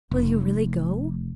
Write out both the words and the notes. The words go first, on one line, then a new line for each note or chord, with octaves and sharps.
'Will you really go?
F1